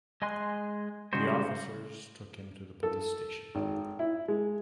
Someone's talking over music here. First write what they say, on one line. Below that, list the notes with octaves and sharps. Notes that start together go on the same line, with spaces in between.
The officers took him to the police station.
G#3 D#5 G#5 C6 F#6
C#3 G3 G#3 F#4 C5
A4
G#1
E4
G#3